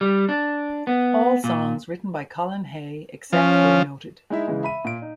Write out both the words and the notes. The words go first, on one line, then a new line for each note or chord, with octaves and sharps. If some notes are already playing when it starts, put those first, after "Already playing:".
All songs written by Colin Hay, except where noted.
G3
D4
B3
A#2
F3 C#4
G#3 D#4 E4 E5
C#3 E3 G#3
E5 B5 D#7
A#2 D7
D#4